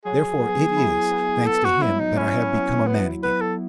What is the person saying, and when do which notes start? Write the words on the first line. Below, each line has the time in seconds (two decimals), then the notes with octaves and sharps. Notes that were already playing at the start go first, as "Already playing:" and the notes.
Therefore it is, thanks to him, that I have become a man again.
0.05 F#3 G#4
0.40 B3
0.76 E4
1.11 B3
1.47 B3 A4
1.65 F#4
1.82 F#3 E4
2.00 D#4
2.17 C#4 E4
2.53 F#3
2.87 B3 E4
3.23 B3 B4
3.41 A4